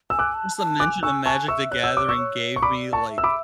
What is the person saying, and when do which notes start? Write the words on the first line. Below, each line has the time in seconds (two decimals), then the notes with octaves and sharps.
just the mention of Magic: The Gathering gave me, like,
0.10 G#5 E6
0.19 D6 F#6
0.34 A5
0.57 A5
0.80 G#5 D6 F#6
1.03 G#5 C#6 E6
1.26 G#5 A5 C#6
1.48 E5 C#6 E6
1.71 C#5 F#6
1.84 E6
1.97 D6
2.07 D5 C#6 E6
2.17 C#5
2.56 C#6
2.62 D5 B5 D6
2.93 A5 C#6
3.08 E5
3.18 E6
3.24 B5 D6